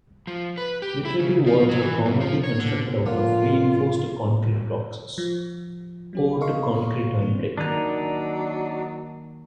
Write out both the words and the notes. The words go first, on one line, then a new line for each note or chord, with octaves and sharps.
Utility vaults are commonly constructed out of reinforced concrete boxes, poured concrete or brick.
F3
B4
G4
E4
C#3
F3
F#3
E3
F#2
F3
C#5
D3
A2 D3 F3 A#3 F4
F3
F#3 C#4 G4
A4 A#4 D#5 F5 C6 C#6
E3 A#3 C4 D4
D#3 F#3 A#3 D4 D#4